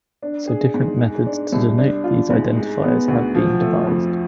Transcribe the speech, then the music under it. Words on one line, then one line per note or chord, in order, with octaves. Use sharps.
So different methods to denote these identifiers have been devised.
D4
G#4
G#2
G#3
D4
C2
D4
F4
G#2
G#3
B3
D2
F3
A3
F2